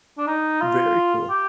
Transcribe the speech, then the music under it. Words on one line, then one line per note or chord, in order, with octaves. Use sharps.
Very cool.
D4
D#4
F4
G4